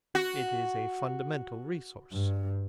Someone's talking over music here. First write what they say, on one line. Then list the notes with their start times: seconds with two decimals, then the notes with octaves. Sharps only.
It is a fundamental resource.
0.15 F#4
2.12 G2